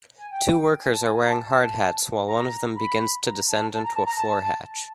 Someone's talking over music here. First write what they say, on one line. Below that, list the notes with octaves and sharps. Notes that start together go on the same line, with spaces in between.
Two workers are wearing hard hats while one of them begins to descend into a floor hatch.
G#5
G5
G#5
A5
G#5
A#5
A5
A#5
B5
A#5
A5
A5
A#5
A5
A#5
A5